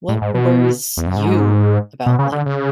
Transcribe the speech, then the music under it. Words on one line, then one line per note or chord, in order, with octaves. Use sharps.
what worries you about, like,
A2
G#2
B2
E2
F#2
G#2
B2
C#3
D3
C#3